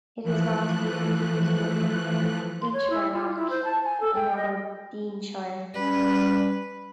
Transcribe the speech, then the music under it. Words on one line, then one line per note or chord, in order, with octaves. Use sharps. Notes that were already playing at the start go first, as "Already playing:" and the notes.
It is not to be confused with Inchmarnock in Aberdeenshire.
E3 F3 A3 F#6
C6
C#5
E4
F4
E4
C5
A5
G#5
A4
G5
D#5
G3 C#4 B4